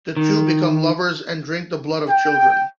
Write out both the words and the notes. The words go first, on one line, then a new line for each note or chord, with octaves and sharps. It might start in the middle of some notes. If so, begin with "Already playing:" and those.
The two become lovers and drink the blood of children.
D#3
G5